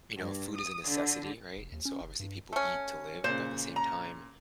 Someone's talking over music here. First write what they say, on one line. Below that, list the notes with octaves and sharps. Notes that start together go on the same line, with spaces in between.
you know, food is a necessity, right? And so, obviously, people eat to live, but at the same time,
G2
D#6
D3
F1
D#2
C#4
F#1
G2
A3 C#4
A#2 C#3 C5
A#5